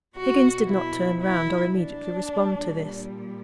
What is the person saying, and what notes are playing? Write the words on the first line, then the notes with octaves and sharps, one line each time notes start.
Higgins did not turn round, or immediately respond to this.
B2 F#3 F#4
E4
E4
D4
A#2 G3